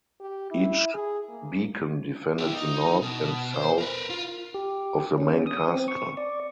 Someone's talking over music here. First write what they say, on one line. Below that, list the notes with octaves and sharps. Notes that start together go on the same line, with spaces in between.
Each beacon defended the north and south of the main castle.
G4
E4
G#4
A#3
E4 G4
D#4
B2
C5
A#4 B4
F4
G4
C#4
D#6
C4
C#6
D5